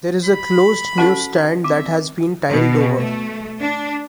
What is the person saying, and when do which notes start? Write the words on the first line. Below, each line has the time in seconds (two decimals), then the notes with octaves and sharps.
There is a closed newsstand that has been tiled over.
0.24 B5
0.98 C#4 F#4 A4 C5 F#5 A5
1.64 C4 E5 D6
2.50 B2
2.97 A3
3.61 D4